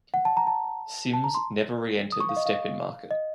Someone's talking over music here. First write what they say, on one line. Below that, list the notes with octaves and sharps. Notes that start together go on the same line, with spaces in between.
Sims never re-entered the step-in market.
F#5
A5
A#5
A5
A5
A#5
C6
D#6
C#6
F5
D#5
F5
D#5